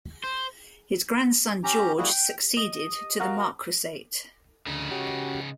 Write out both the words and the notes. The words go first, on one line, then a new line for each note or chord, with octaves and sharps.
His grandson George succeeded to the marquessate.
C5
C#4 G4 A#5
G3 A#3 E4 F#4 G#4
G5
D#5
F#4 A#4 F5
D2 C#3 D#4
C#4 F#4 G4